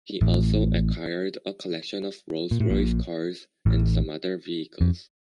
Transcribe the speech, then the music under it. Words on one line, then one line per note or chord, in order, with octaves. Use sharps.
He also acquired a collection of Rolls Royce cars and some other vehicles.
A1 A2
A#2
A2
A#1 A#2
A1 A2
F2